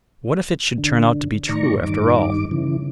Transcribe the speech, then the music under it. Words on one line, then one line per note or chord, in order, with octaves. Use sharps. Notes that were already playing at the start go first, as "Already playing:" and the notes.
What if it should turn out to be true after all!
D3
A2 D#3 D5 A#5 C#6
G2 D#3 D6
C#3 E3